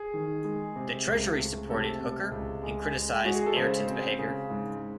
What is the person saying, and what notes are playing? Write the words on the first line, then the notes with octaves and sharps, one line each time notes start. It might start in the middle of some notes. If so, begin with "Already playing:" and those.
The Treasury supported Hooker and criticised Ayrton's behaviour.
Already playing: G#4
D#3
G#3
C3
C#2
A3
C3 A4
C3
C#2
G#3
G#3
G#3 F#4
G#4
A4
C#3 C5
C4
C#3
G#2